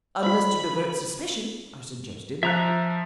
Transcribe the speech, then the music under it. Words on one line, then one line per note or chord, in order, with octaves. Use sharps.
"Unless to divert suspicion," I suggested.
F4 C5 D5 B5
F3 E5 A#5 F#6